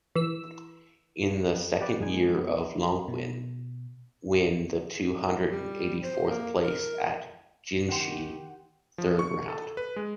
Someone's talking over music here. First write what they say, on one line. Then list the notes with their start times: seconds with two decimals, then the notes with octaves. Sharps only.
In the second year of Longqing, win the two hundred and eighty fourth place at Jinshi third round.
0.15 E3 E6
1.81 G4 B4 D5
2.00 F#2 G#3 D#4 G#5
2.38 B3
3.08 B2
5.50 G3
6.04 C5
6.29 A#3
6.62 A#4
7.89 D#3 G4 F#5 G5 C6
8.98 F3
9.19 C#6
9.49 A4
9.77 B4
9.96 G#3